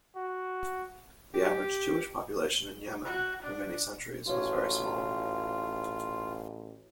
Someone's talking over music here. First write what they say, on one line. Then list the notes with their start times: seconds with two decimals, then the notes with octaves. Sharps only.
The average Jewish population in Yemen for many centuries was very small.
0.16 F#4
1.34 G4
3.05 F#4
3.42 D4
4.26 A1 F4 F#4 B4 C#5